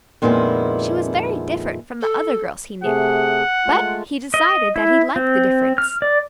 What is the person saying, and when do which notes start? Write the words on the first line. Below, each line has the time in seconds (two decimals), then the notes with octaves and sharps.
She was very different from the other girls he knew, but he decided that he liked the difference.
0.22 F2 A#2 D#3 G#3 B3 E4
2.01 A4
2.84 C3 A3 G#4 F#5
3.65 G#3 A3 F4
4.34 D#5
4.76 E4
5.16 C4
5.78 F6
6.02 D5